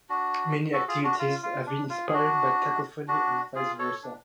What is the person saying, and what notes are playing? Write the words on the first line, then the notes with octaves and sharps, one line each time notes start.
Many activities have been inspired by Cacophony and vice versa.
D4 F#4
F#4 A4
F4 G#4
D4 F#4
F4
F4
D4
F4
G#4
D4 F#4
D4 F#4
F4 G#4
A4 C#5
D4